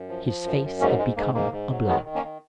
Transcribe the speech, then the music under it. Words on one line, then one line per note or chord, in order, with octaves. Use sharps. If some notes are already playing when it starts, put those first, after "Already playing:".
His face had become a blank.
Already playing: F#2
F3
F3
F#2
F#2
G#2 A#3 C#4
G#2 G#3
G#2 A#3
G#2 A#3
G#2
F#3
D#3 G#3 B3
D#3
A#3 C#4
D#3